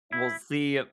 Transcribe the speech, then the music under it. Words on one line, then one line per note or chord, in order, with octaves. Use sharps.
We'll see a
E4